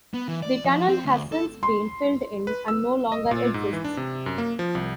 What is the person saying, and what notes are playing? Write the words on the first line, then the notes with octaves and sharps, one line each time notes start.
The tunnel has since been filled in and no longer exists.
B3
E3
D5
F3
C4
D2
A4
C6
B4
E6
D#5
A#2
G#2
E3
D4
C3
F#2
A#3
F3
C2